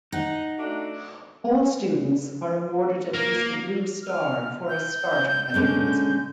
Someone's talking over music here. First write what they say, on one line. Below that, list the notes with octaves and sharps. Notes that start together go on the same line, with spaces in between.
All students are awarded at least a blue star for a start at bilingualism.
D#4 F#5
A3 D4 F#4
A#3 A#4 A#6
F6
G6
D3 G#3 C#4